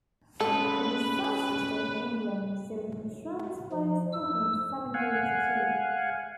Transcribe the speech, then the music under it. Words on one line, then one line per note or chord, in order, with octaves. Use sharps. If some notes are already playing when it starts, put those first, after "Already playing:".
A disastrous day for England saw them trounced by Scotland seven goals to two.
G#3 C#4 A4 B4
F3
E6
F5 F#5 G#5